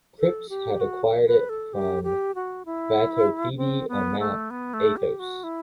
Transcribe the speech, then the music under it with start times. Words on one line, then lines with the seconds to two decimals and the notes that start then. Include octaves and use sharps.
Cripps had acquired it from Vatopedi on Mount Athos.
0.19 A4
0.49 G4
0.81 F#4
1.26 B4
1.49 A4
1.73 G4
2.04 G4
2.35 F#4
2.66 E4
3.57 C4
3.89 B3
4.20 A3
4.50 B3
4.74 A3
4.97 G4
5.19 F#4
5.44 E4